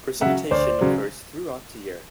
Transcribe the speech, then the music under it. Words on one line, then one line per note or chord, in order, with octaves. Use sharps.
Precipitation occurs throughout the year.
C#3 F#3 E5 F#5
D2 C5 D5
C#3 F#3